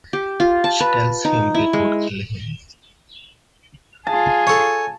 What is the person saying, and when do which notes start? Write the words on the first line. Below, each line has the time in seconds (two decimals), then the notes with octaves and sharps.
She tells him it would kill him.
0.13 G4
0.40 F4
0.64 A5
0.80 B4
1.25 D#4
1.54 E4
1.73 G#3
4.07 F4 G#4 G#5 A5
4.47 A4 C#5